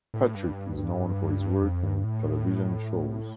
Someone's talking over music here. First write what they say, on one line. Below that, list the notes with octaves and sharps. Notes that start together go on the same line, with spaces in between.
Patrick is known for his work in television shows.
A2
G2
G2
F2
G2
A2